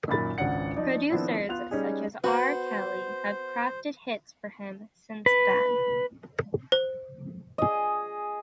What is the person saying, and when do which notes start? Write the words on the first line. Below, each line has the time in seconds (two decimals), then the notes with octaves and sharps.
Producers such as R. Kelly have crafted hits for him since then.
0.08 F#2 A#2 D#3 B5 A6
0.38 G#1 C#2 C#4 D4 F#5 C#7
0.76 F3 D#4 D5
1.10 D#3 F3 B3 C4 D4 E4
1.49 B3 F4 F#6 F7
1.71 G3 C#4 D#4 G#4
2.24 B3 F#4 C5
5.26 B4
6.72 C5
7.58 G#4 D#5